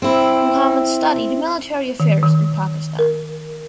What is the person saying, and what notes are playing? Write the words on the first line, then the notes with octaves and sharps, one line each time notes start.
Muhammed Studied military affairs in Pakistan.
C4 E4
D#3
D#3
A#4